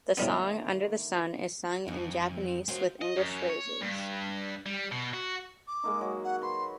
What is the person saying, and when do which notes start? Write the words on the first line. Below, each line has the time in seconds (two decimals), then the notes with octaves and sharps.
The song "Under the Sun" is sung in Japanese with English phrases.
0.17 A2 D3 D#3 G3 A3 B3
1.88 F2 G#2
2.68 D#3 F#3 G#3 F4 C5
3.02 D#5
3.16 F#2
3.50 C#5
3.81 G2
4.66 G3
4.92 B2
5.14 F#4
5.67 D6
5.83 G#3 A#3 D#4
6.01 F#3
6.24 F#5
6.42 B4 C6